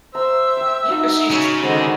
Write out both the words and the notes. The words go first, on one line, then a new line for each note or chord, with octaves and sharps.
Yeah, 'cause she's
C5 E5 A#5
G5 D6
D#4 F#4 B5
C#3 C#5
D3 D#3 G#3 C5 F#5